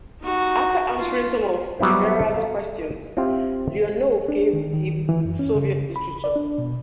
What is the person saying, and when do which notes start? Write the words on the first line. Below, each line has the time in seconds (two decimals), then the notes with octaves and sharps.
After answering some of Guevara's questions, Leonov gave him Soviet literature.
0.22 D#4 F#4
0.98 F4
1.79 F#3 G3 B3 E4 C5
2.34 A4 F5
3.17 C4 E4 F4 G4
4.28 D4
4.53 D#3
4.73 D#3
5.09 E3
5.25 F#2
5.39 C#4
5.55 C#3
5.96 B5
6.24 D5
6.36 D4
6.58 B2